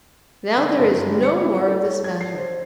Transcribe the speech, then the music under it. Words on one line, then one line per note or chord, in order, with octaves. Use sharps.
Now there is no more of this matter.
D3
G1
G3
C#7
E4
F#5
A4
C#5
G#6
C7
C5